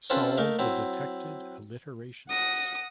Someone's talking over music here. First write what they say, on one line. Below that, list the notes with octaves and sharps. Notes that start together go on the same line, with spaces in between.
Solve the detected alterations.
C4 C#4 F4 A4 B4 C5
A3 A#3 D#4 A#4
F#3 C4 E4
F#5 D#6 A#6